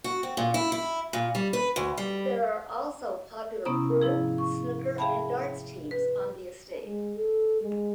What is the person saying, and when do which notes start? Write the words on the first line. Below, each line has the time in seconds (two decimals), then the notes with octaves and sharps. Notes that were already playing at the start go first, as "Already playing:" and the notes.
There are also popular pool, snooker and darts teams on the estate.
0.04 F#4
0.23 C4
0.37 A#2
0.54 E4
0.72 E4
1.13 A#2
1.35 G3
1.53 B4
1.76 D2
1.98 G3
3.65 C3 B3 C#4 E4 A#5 D#6
4.01 G#2 F3 E4 G#4
4.38 C#6
4.98 G#4 E5 F5 G5 A5 B5
5.91 B4
6.85 G#3
7.17 A4
7.61 G#3